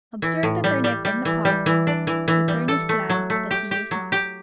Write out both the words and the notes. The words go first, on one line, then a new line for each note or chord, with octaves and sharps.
Observe the Turnip in the pot. The Tern is glad that he is not!
E3
A2
G3
G3
G3
E3
G3
E3
D4
E3
E3
G3
A4
A3
F#3
A3
G4
G4
F#3
G4